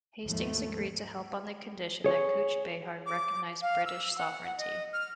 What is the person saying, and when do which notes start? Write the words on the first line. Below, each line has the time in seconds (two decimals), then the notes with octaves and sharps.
Hastings agreed to help on the condition that Cooch Behar recognise British sovereignty.
0.25 D#2 G#2 F3 A3
2.04 G#4 C#5
3.06 D6
3.61 F5
3.85 E6
4.18 F#5
4.57 D#5
4.93 F6